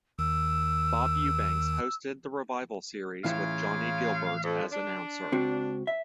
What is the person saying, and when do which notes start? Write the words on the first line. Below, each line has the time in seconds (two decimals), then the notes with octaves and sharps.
Bob Eubanks hosted the revival series with Johnny Gilbert as announcer.
0.19 D#2 D#3 E6
3.24 A2 C#3 E3 E4 F4 F5
4.43 F2
4.71 D4
5.32 C#2 C4 F#4
5.87 E5